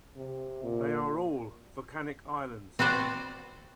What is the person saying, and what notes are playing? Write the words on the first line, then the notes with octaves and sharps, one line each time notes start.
They are all volcanic islands.
C3
A#2
C4 F#4 B4 C5 D5